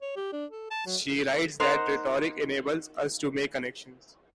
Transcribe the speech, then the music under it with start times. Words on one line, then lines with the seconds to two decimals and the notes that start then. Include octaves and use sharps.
She writes that ...rhetoric enables us to make connections...
0.02 C#5
0.16 G4
0.33 D4
0.51 A4
0.71 A5
0.86 F#3
1.60 D#4 A#4 C5 F#5